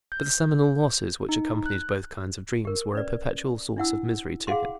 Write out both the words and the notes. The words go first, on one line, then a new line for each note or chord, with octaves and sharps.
But the seminal losses which accompanied both kinds of dreams were a perpetual source of misery to him.
G6
D#4
F#6
G4 A#4
C#4 B4 D5
D4 E4 F#5 E6
G#4 F5 F#5 C6